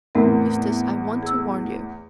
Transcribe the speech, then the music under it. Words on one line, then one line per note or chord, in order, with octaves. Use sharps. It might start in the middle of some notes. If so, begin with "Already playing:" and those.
Eustace, I want to warn you.
E2 A2 A3 C4 A#4
G#4 E6